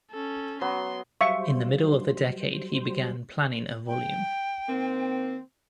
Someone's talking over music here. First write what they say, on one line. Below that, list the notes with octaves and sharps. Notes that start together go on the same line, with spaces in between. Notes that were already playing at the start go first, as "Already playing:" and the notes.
In the middle of the decade he began planning a volume.
C#4 A4
F#3 B3 C6
F#3 G3 C5 E5 F5 C#6
G5
D#3 A#3 C4